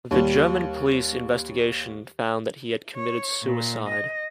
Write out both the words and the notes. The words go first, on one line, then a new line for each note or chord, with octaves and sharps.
The German police investigation found that he had committed suicide.
D#2 G3
C#5
A#2
D#5